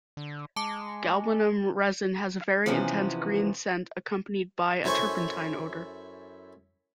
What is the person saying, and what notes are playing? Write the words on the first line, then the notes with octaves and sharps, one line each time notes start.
Galbanum resin has a very intense green scent accompanied by a turpentine odor.
D3
G#3 A5 D6 C#7
C3 E3 F3 B3 C#4
F#2 E4 A4 C5 G#5 C#6